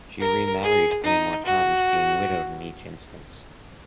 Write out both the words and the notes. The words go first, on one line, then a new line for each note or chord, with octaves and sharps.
She remarried three more times, being widowed in each instance.
A#4
G#4
D#4
F#4